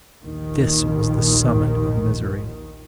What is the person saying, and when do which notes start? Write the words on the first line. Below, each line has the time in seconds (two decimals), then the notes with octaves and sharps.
This was the summit of misery.
0.22 A#1 D#2 D#3